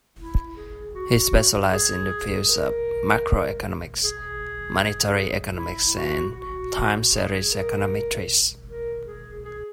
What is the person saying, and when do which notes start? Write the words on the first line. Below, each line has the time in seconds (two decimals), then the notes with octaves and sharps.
He specializes in the fields of macroeconomics, monetary economics and time series econometrics.
0.17 E4
0.56 G#4
0.94 F#4
1.72 G#4
2.49 A#4
4.04 G#4
5.58 E4
5.97 F#4
6.35 F#4
7.13 G#4
7.51 A#4
8.68 A#4
9.05 G#4
9.44 G#4